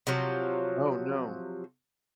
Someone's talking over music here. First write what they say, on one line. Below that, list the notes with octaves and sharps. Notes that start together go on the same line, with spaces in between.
Oh, no.
C3 F3 F#3